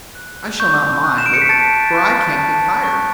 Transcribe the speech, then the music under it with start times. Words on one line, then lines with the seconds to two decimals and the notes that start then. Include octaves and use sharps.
I shall not mind it, for I can't get tired.
0.15 F#6
0.60 C#6 G6
1.04 F#6
1.18 E7
1.26 D7
1.34 C#7
1.42 B6
1.49 A5 A6
1.94 C#6 F#6
2.39 A5
2.83 C#6 F#6